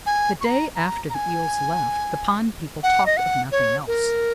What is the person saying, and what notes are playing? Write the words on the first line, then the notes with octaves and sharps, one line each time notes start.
The day after the Eels left, the pond people talked of nothing else.
G#5
C#6
A#5
A#5
A#5
G#5
F#5
D#5
F#5
C#5
A#4